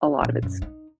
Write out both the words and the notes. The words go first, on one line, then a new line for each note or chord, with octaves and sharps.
a lot of it's,
A#2
F#2
D#4